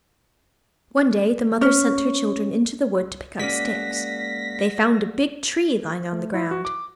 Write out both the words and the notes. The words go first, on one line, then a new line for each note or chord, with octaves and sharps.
One day the mother sent her children into the wood to pick up sticks. They found a big tree lying on the ground.
C#4
G#3 A#3 C#4 F#4 D5 A#6 B6
A3
E4
F#4
D6